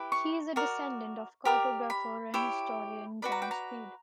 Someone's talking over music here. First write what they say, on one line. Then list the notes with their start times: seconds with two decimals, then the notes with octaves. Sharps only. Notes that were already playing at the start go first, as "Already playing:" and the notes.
He is a descendant of cartographer and historian John Speed.
Already playing: E4 G4 B4
0.12 C#6
0.56 F#4 A#4 D5
1.45 G4 A#4 D5
1.90 B5
2.34 E4 G4 C#5
3.22 F#4 B4 D5 B5
3.32 A#5
3.42 G5
3.51 A#5